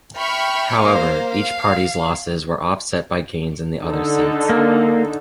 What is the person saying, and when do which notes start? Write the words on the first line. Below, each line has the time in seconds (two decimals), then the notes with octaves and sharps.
However, each party's losses were offset by gains in other seats.
0.16 E5 G5 B5 C#6 F6
0.81 A#3 C5 F5
1.30 F5
3.83 D3 D#4 A4
4.49 A#3